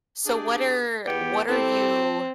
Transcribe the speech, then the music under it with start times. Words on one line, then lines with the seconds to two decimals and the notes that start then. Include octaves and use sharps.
So, what are what are you
0.25 D4 G4 G#4
1.06 E2 B3 G4
1.48 C4 E4 G4 A4